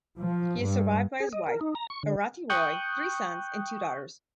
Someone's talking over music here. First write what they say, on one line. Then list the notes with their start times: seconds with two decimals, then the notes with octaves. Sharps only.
He is survived by his wife, Arati Roy, three sons, and two daughters.
0.18 F3
0.60 G2
1.20 G#4
1.33 D#5
1.47 A#4
1.61 D#4
1.75 A#5
1.90 C#6
2.03 D3
2.50 G5 C#6 D#6 F#6 G6